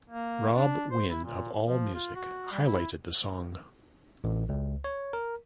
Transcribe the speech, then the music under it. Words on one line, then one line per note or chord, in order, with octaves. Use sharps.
Rob Wynn of Allmusic highlighted the song.
A#3
D4
C5
E4
A#2
F3
F4
F#4
G3
E4
A1
C#2
C#5
A#4